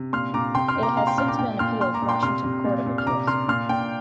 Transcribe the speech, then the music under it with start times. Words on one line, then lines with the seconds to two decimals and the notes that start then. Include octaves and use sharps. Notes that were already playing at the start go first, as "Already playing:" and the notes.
It has since been appealed Washington Court of Appeals.
Already playing: C3
0.13 A#2 C6 F6
0.34 A#2 A#5 D6
0.55 C3 G5 C6
0.68 C6 F6
0.76 C3
0.83 A#5 D6
0.97 A#2 F5 A#5
1.07 G5 C6
1.18 A#2 C6 F6
1.28 A#5 D6
1.39 A#2 G5
1.59 A#2 C6 F6
1.81 A#2 C6 F6
1.94 A#5 D6
2.02 A#2
2.09 G5 C6
2.23 C3 C6 F6
2.44 C3
2.64 A#2
2.86 A#2
2.98 F6
3.07 C3 A#5 D6
3.27 C3 C6 F6
3.48 A#2 C6 F6
3.69 A#2 G5